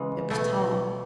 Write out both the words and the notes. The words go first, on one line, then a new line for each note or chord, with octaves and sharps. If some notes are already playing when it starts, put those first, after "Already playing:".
It was Tall.
Already playing: C#3 E3 G#3
B2 A3